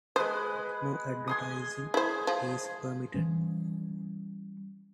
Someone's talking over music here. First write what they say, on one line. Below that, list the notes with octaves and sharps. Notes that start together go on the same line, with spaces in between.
No advertising is permitted.
G#3 B4 C5 D#6
G#5 C6 D#6
E4 G#4 C5
F3
E3 G3 C#4